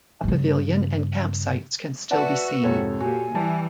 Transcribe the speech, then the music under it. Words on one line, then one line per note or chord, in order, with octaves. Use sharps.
A pavilion and camp sites can still be seen.
G2 C#3
F#4 B4 D5 E5 F#5 A5
F2 G#2 C3 A4 C#5
A#2 F#4 G4 G#5
E3 G3 A5